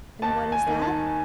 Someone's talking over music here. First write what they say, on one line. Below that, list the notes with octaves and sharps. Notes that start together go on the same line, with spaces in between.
And what is that?
D#2 A5
G#5
D#3
A5